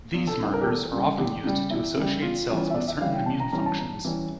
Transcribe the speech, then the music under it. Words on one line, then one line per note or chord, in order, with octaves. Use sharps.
These markers are often used to associate cells with certain immune functions.
E2 F4
A4
C#3 G3
A#4
G4
E2 A4
C#3 G3
E2 G4
C#3 G3
E2 E4
C#3 G3
E2 F4
E3 G3 C#4
E5
E2 D5
E5
E3 G3 C#4 F5
G5
E2 A5
A#5
E3 G3 C#4 A#5
A5
E2 A#5
E3 G3 C#4